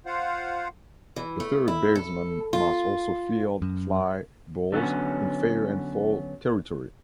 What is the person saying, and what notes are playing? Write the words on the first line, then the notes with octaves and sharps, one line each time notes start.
The third baseman must also field fly balls in fair and foul territory.
F4 C5 F5 F#5
E3
A3
E4
A4
F4
F#2
D3 F#3 B3 C#4